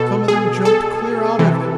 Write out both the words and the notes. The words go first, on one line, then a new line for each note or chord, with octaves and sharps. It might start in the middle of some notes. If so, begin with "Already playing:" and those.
Some of them jumped clear out of it.
Already playing: B2 A4
G#4
A4
C3 E3